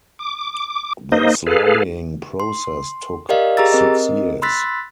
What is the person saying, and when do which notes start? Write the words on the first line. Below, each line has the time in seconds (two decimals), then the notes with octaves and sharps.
This lobbying process took six years.
0.19 D6
1.12 A#3 D#4 C5 D#5
1.46 G#4 A4 B4 F5
2.40 C6
3.29 G4 A#4 D5 D#5 F5
3.57 G4 G#4 A#5 E6 A6
3.72 C4 A#4 D#5
4.42 B5 C6 E6 F#6 A6 B6